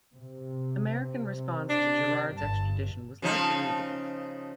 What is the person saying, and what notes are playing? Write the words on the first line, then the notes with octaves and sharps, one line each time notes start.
American response to Girard's extradition was largely negative.
C3
D4
G1 G2 A5
C#3 F3 D#4